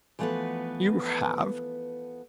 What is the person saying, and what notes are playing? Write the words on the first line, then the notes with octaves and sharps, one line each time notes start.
"You have?"
E3 F3 A3 B3 F#4 B4